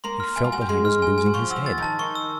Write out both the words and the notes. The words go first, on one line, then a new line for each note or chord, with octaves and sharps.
He felt that he was losing his head.
A#3 A#4 C6
F6
E4 G#5
F4
F#4 G#5
G4
G#3 G#4 C6
F6
G#5
G#5
F#4
F3 F4 C#6
F#4 E6
F3 F4
A6
D#3 D#4 A5
D#3 D#4 C#6
E6